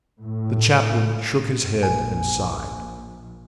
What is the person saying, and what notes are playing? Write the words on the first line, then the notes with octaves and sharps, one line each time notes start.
The chaplain shook his head and sighed.
A2
A#1 G#5